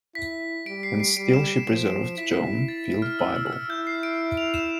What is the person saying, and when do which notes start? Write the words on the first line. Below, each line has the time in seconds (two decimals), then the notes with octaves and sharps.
And still she preserved John Field’s Bible.
0.15 E4 B6
0.66 G3 D7
0.83 C7
1.00 C7
1.17 G3 D7
1.33 E7
1.51 D7
1.68 F3
2.18 E4 B6
2.68 A6
3.02 F6
3.19 E6
3.36 E6
3.46 E6
3.53 F6
3.70 E4 G6
3.87 C7
4.03 D7
4.37 F7
4.54 E7